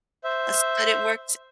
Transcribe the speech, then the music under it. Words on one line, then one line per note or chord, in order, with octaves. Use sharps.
uh, s but it works
C5 E5